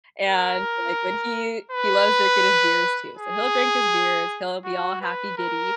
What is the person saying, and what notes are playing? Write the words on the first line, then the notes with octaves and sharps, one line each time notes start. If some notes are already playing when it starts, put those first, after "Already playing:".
and, like, when he he loves drinking his beers, too. So, he'll drink his beers, he'll be all happy giddy,
A#4
B4
G#4
F#4
B4
A#4